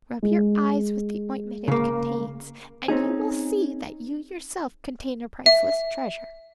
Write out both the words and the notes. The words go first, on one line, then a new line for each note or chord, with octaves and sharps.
Rub your eyes with the ointment it contains, and you will see that you yourself contain a priceless treasure.'
G#3
C#3 A#3
C4 C#4 D#4 G#4
E5